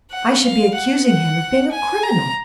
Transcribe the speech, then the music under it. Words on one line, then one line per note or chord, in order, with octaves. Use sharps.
I should be accusing him of being a criminal.
F#5
F5
F#5
F#5
G#5
A#5